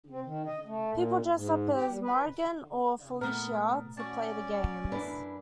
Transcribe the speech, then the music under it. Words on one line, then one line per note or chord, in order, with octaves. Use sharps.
People dress up as Morrigan or Felicia to play the games.
C4
D#3
D#5
A3
A#2
G#2
G4
G3
B4
A#2 A3 B3 A#4
C#4 F#4 D5 A5
F#2 D4 E4 B4